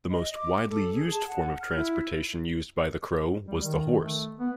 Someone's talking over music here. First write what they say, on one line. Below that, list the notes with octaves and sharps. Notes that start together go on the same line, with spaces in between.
The most widely used form of transportation used by the Crow was the horse.
D#5
D6
A4
G#4
A5
F#5
F6
E4
G3
D#3
A3
B3